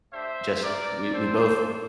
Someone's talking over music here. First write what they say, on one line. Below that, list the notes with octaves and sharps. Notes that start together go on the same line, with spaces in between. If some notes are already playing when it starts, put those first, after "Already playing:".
just we we both
A3 D4 G4 C5 E5
C4 G4 A#4 D5
C4 F4 A4 C5